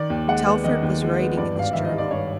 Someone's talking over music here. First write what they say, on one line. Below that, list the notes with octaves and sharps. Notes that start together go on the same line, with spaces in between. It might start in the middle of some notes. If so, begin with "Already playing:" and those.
Telford was writing in his journal.
Already playing: D#3 D5
D#2
G#3 F#5
B3
D#3 D#5
D#2
G#3
B3
G2 D5
G#1 F5
D#3 E5
D#5
G3
D5
G2 C#5